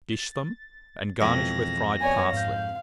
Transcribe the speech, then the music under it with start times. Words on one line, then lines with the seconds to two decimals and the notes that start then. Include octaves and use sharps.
Dish them, and garnish with fried parsley.
0.13 A6
1.21 F2 B2 E3 G#3 A#6
2.01 B3 C#5 D5 G#5
2.32 G#2 F5 G6